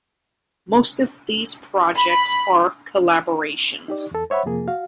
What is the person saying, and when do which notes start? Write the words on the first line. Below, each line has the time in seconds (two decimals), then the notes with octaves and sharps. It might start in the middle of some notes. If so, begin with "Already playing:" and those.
Most of these projects are collaborations.
1.95 B5
3.88 D#4 G4 D5
4.11 E2 A4
4.30 C5 C#5 E5 F#5 B5
4.45 F2 C3 F3 A#3 G#4
4.68 F#4 F5